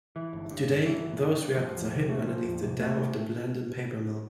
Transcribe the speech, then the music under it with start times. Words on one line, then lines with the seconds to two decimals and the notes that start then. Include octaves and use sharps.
Today, those rapids are hidden underneath the dam of the Blandin Paper Mill.
0.16 E3
0.33 G1
0.51 G2
0.69 G1
0.85 E3
1.03 G1
1.22 G2
1.38 G1
1.57 F3
1.74 E2
1.91 C3
2.09 A3
2.27 F3
2.44 E2
2.63 C3
2.80 A3
2.97 C3